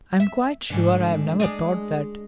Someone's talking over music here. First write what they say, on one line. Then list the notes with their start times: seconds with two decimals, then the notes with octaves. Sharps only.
"I am quite sure I never thought that!"
0.20 E5
0.70 D2 G#2 D3
1.40 G#3 D4 G#4